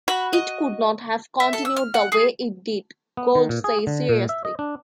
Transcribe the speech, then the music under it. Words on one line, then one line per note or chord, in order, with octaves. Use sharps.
"It could not have continued the way it did," Gould says seriously.
F#4 B5
D#5
E5
A4
E6
F6
F#5
G#4
B3
D#3
A#2
G#4
D3
A#2
E5
D#5
D4